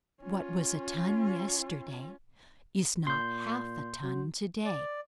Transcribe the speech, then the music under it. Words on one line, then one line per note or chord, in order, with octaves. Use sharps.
What was a ton yesterday is not half a ton today.
C#4 F4
A#2 C6 G6
F#3
D5